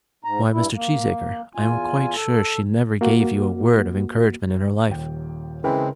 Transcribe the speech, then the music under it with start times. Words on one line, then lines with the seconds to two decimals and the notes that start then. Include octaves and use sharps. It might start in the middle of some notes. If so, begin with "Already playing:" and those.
"Why, Mr. Cheesacre, I am quite sure she never gave you a word of encouragement in her life."
0.24 G#2 A#5
0.53 G2 E4
0.74 A#3
1.55 E2 F4 G#5
2.15 A4
3.01 A#3 F#4
4.87 D#1 D#2 G5
5.64 C#3 E3 G#3 C4 A#4 G5 B5